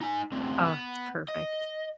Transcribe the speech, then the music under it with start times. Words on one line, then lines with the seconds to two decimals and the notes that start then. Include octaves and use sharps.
Oh, it's perfect.
0.01 D#4 G#5
0.32 D2 C3
0.65 B3
1.28 D#5